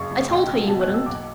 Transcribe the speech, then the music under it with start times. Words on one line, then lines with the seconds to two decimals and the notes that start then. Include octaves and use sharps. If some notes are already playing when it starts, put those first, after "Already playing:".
I told her you wouldn't.'
Already playing: F#1 F#2 C#3 A5 C#6
0.11 F#1
0.29 B1 G5
0.48 F#3
0.67 B2 A5
0.81 F#6
0.87 B1
0.94 E6
1.06 B1 D6